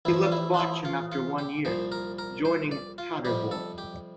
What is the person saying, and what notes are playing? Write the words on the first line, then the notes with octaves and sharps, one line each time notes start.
He left Bochum after one year, joining Paderborn.
A1 A2 F3 E4
F4
E4
D4
E4
F4
F4
G4
C2 A#2 F3 C5
A#4
A#4
C5
D5
F4
F2 C3 G3 G4
A4
G4